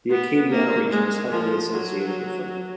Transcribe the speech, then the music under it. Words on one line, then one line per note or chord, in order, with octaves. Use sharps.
The Acadiana region is heavily associated with them.
B3
A#3
G#3
F3
F#3